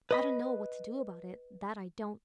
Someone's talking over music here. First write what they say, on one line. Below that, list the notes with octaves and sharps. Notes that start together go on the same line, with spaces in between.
I don't know what to do about it, that I don't.
B4 D#5 B5